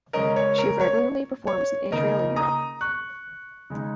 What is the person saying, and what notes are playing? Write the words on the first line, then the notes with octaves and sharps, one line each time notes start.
She regularly performs in Israel and Europe.
C#3 G#3 C#4 A#4 D#5
C#5
A#4
C#5
C#5
C#3 A#3 D#4 A#4 D#5
A#5 D#6
C#6 F#6
C#3 G#3 D#4